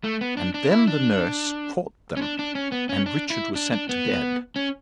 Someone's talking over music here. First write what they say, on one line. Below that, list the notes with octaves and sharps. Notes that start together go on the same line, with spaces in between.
And then the nurse caught them and Richard was sent to bed.
A3
B3
D4
D4
E4
D4
C#4
D4
D4
C#4
B3
C#4
D4
E4
D4
D4
B3
C#4